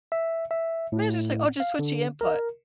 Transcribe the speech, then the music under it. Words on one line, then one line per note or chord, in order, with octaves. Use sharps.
mine's just like, "Oh, just switch the input,"
E5
E5
A2
F5
D3
A#4